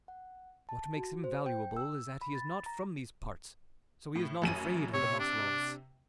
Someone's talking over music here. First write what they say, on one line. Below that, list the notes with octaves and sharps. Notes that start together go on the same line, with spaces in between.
What makes him valuable is that he is not from these parts, so he is not afraid of the Maslovs.
F#5
A5
F#4
C5
G5
E6
B5
A6
A#5
A2
A1 F#2 D#7
C3 C#5
D4